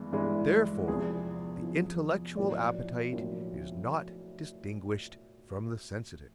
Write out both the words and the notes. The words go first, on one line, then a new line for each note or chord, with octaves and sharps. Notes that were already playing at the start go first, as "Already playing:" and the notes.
Therefore the intellectual appetite is not distinguished from the sensitive.
Already playing: G2 E3 G#3 B3
G2 E3 G#3 B3
E2 C3 F3 G#4
E2 C3 F3
B1 A2 F3 A#3 D5
B1 A2 F3 A#3